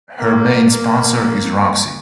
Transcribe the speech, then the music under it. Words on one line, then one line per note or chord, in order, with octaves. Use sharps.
Her main sponsor is Roxy.
A#3
A#3